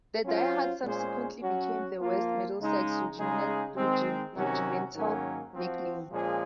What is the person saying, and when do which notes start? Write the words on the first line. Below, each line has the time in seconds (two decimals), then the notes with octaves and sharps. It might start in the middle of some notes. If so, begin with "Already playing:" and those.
The 'Die Hards' subsequently became the West Middlesex's regimental nickname.
0.25 F#3 C#4 F4 C5
0.83 A#2 G#3 C#4 G#4 C5
1.42 F#3 C#4 F#4
2.01 F3 A#3 F4
2.59 C#3 G#3 D#4
3.18 C#3 G#3 D#4 G#4
3.76 D#3 G#3 C4
4.36 C3 D#3 F#3 C#4 F#4
4.94 G#2 D#3 F#3 A#3 C#4
5.53 F3 C4 F#4
6.12 A#2 F3 G#3 C#4 G#4